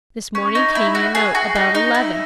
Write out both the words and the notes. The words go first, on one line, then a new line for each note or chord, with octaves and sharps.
This morning came your note, about eleven.
C#4
D#4
E4
F#4
G#4
F#4
D#4
D#4
E4